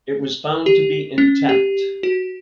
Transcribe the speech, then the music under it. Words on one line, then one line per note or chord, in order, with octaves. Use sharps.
It was found to be intact.
G4
C#4
G4
F#4